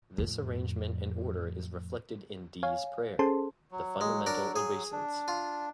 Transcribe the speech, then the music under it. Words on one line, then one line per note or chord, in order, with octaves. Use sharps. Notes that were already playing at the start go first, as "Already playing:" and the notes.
This arrangement and order is reflected in Dee's prayer - The Fundamental Obeisance.
F2 A2
C#5 F5 G#5
C#4 G#4 A4 C5 A5 C6
F#3
G#3
D4 A#4
G#4
D4
F4